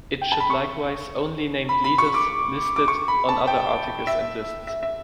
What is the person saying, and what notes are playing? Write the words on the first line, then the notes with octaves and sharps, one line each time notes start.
It should likewise only name leaders listed on other articles and lists.
G5
A5
B5
C#6
B5
B5
C#6
D6
D6
C#6
B5
A5
G5
E5
E5
E5